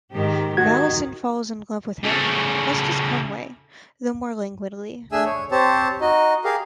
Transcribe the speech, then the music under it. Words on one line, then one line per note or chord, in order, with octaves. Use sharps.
Mallinson falls in love with her, as does Conway, though more languidly.
G#2 D#3 G4
D#3 F#4 G#6
C#3 A3
A3 D4 G#4 E5 G#5 E6
C#5
C4 G4 C5 C#5 A5
D#4 F#4 D#5
G4 G#4 A#4 F5